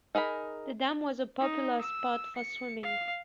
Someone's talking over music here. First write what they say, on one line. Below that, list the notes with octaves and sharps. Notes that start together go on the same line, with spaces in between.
The dam was a popular spot for swimming.
D#4 G#4 A#4 B5
D#4
E6
C#7
F5